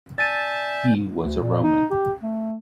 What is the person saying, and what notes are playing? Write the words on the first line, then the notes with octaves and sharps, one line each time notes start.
He was a Roman.
D5 E5 G#5 A5 G6 A6 D#7
D2
A#2
D#4
G4
A3